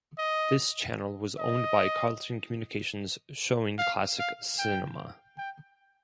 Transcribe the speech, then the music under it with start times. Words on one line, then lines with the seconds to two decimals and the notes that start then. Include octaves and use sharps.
This channel was owned by Carlton Communications showing classic cinema.
0.18 D#5
1.38 D#5
3.79 F5
4.19 F5
4.59 G5
5.38 G5